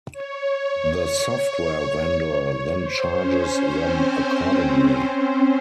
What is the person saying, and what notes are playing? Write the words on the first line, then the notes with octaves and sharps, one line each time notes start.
The software vendor then charges them accordingly.
C#5
C#5
C5
C#4
C#4
C4